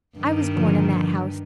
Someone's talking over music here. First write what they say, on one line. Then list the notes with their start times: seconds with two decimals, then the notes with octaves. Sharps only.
I was born in that house.
0.17 G2 D#3
0.56 A#2 D3 F3